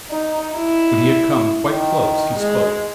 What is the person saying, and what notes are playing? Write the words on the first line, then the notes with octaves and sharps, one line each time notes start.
When he had come quite close he spoke.
D#4
E4
D#3
G#3